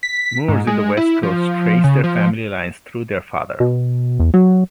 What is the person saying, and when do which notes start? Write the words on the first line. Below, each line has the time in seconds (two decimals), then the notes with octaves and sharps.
Moors in the west coast trace their family lines through their father.
0.03 B6
0.48 G#2
0.67 G#3
0.97 E4
1.23 F3
1.84 C#3
2.04 F3
3.60 B2
4.20 E2
4.34 F#3